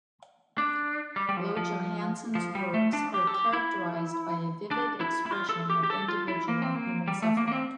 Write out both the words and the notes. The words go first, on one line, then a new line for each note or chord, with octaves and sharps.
Lo-Johansson's works are characterized by a vivid expression of individual human suffering.
D4
G3
G3
F3
F3
F3
G3
A3
D4
G4
A4
G4
E4
D4
E4
E4
F4
A4
G4
G4
A4
F4
E4
A#3
C4
A#3
G3
A3
A#3
A#3
C4